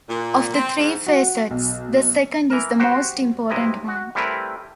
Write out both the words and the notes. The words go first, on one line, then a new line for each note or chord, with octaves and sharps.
Of the three facets, the second is the most important one.
A#2
C4
G#2
F#4
B1
E3 A#4
F#4 G4 C5
B1 C3 E4 D#5
F#4
G3 A3 C4 E4 A#4 B4